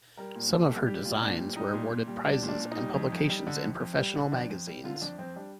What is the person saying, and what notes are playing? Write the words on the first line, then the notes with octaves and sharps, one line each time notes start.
Some of her designs were awarded prizes and publications in professional magazines.
G3 A#4
A#2
A#2 A4
G3
G3 G4
A#2 F4
A#2 D4
G3
G3 D#4
A#2
A#2
G3
G3 D4
A#2
D4
A#2
D#4
G3
F2
F2
G3
D3
F2
F2
G3
D3
F2 D4
F2
G3
D3 F4
F2 D4
F2 C4
G3 D4